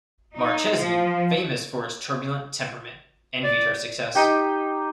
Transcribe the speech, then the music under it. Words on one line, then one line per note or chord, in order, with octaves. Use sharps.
Marchesi, famous for his turbulent temperament, envied her success.
D#4
F3
D5
D#4 G4 G5